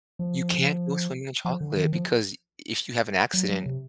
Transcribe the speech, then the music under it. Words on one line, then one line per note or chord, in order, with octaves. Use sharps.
You can't go swimming in chocolate because if you have an accident,
F3
F3
D3
D#3
F3
F#3
F#3
C3